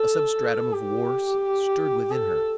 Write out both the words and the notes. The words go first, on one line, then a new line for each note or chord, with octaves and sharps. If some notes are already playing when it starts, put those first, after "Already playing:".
A substratum of war stirred within her.
Already playing: A4
G4
A4